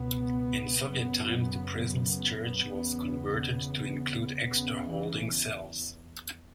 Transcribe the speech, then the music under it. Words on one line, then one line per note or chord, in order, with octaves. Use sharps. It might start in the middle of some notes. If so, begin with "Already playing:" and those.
In Soviet times the prison's church was converted to include extra holding cells.
Already playing: C#2 B2 B3
F#2 C#3
B3
E2 C#3
E2 C#3 B3
E3